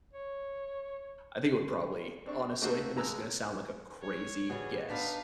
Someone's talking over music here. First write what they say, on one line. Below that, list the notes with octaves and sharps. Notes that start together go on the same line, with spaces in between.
I think it would probably, honestly and this is gonna sound like a crazy guess,
C#5
C4 D4 C#6
A3 A#3 C4 D#4 F#4 C5
A1 G#3 A#5 E6 F#6
C#5
A2 E3 G3 F#4 G#4
B3 D4 D#4 F5 B6